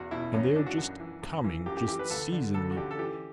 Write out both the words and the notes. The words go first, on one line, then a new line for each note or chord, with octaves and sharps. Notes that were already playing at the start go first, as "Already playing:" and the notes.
And they are just coming, just seizing me.
Already playing: E2 B2 F#4
B2 E4
F#2 C#4
C#4
E3 D4
F#4
F#2
E3
F#2
E3
F#2 G4
G4
E3 G4
B4
D2 A4
D3
D2 A4
F#4
D3 G4
A4
E3 G4